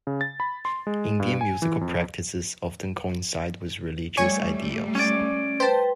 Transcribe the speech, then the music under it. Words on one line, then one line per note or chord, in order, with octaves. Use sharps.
Indian musical practices often coincide with religious ideals.
C#3
A6
B5
C6
G#3
G2
G#5
E3
F2
G3 A3 C#5 G#5 C#6
C#4 D5
B4 C5 G5 A5